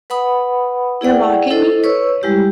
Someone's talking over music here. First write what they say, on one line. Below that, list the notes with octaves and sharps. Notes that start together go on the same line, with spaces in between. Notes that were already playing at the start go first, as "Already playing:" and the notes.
You’re mocking me?
B4 F#5 B5 D#6
E4 G#4 D5 F#5 G5
E4 A4 C5 D#5
B4 C#5 C#6 E6
G3 G#3 E4 G4